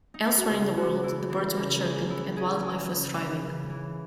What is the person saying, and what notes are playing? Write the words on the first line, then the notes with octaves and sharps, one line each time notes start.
Elsewhere in the world, the birds were chirping and wildlife was thriving.
D#4
E4
F#4
C#3 G#4
C#3 F#4
E3 E4
E3
C#3 A#4
E3 G#4
E3 E4
E3 G#4
E3 G#4
C#3
E3
C#3
E3